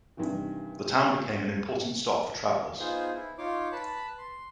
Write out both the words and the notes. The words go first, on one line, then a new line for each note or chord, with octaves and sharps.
The town became an important stop for travellers.
G2 C3 D#3 E3
B3 D#4 F4 G#4 C5
E4
D#4 F4 C#5 C6 D6
B4 A5 B5
C6